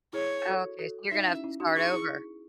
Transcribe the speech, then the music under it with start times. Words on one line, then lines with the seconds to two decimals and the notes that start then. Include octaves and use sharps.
Oh okay so you're gonna have to start over.
0.13 E4 G#4 C#5
0.46 F#4 A4
0.79 F#4 A4
1.11 D#4 F#4 E5
1.28 C#4 E4
1.44 C#4 E4
1.60 D#4 F#4
1.76 E4 G#4 C#6
1.93 E4 G#4